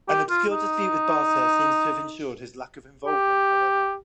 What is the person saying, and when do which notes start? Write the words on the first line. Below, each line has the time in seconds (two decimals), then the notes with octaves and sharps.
An obscure dispute with Barta seems to have ensured his lack of involvement however.
0.08 G4
0.30 F4
0.50 D#4
3.06 G4